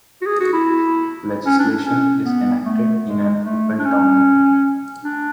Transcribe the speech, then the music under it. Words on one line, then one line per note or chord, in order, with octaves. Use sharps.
Legislation is enacted in an Open Town Meeting.
F#4
G#4
F#4
E4
C#4
D4
C#4
B3
A3
G#3
A3
D4
C#4
D4